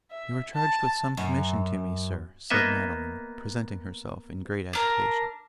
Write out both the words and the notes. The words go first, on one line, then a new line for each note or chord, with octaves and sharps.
'You are charged with some commission to me, sir,' said Madeline, presenting herself in great agitation.
E5
A5
F#2
A#3 B3 D#5 E5
D4 A#4